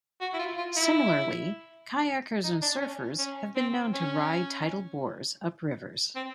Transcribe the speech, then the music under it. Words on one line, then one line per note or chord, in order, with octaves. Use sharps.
Similarly, kayakers and surfers have been known to ride tidal bores up rivers.
F#4
E4
F4
F4
E4
D#4
D4
C#4
C#4
C4
C#4
C4